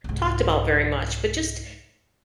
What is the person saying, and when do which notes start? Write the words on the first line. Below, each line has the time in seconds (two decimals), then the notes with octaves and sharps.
talked about very much, but just
0.04 C2 G#2